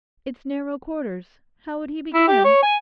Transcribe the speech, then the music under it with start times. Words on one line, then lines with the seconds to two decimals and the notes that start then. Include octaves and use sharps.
It's narrow quarters; how would he begin?'
2.14 E4
2.28 G4
2.45 C#5
2.63 G#5